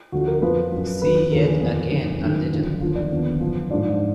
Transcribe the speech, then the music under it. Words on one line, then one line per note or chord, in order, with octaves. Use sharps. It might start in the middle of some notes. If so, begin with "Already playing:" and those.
See yet again a little.
D2 D3 F3 F#4
A#4
F2 F3 B4
F#2 F3
D#2 D#3 B4
D#2 D3 F3 A#4
G#4
F2 F3 G#4
F2 D#3
F#2 D#3
F#2 D3 F3
D#2 D3 F3 F4
D4
D#2 D3 F3 B3
F#2 F3
G#2 F3 D4